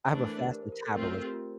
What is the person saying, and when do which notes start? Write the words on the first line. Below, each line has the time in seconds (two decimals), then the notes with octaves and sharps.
I have a fast metabolism
0.11 E3 A3 D4 C5
0.25 A#4
0.38 G4
0.53 A#4
0.62 C5
0.72 A#4
0.83 A4
0.92 A3 C4 F4 A#4
1.02 C5
1.13 A#4
1.22 G4
1.33 F4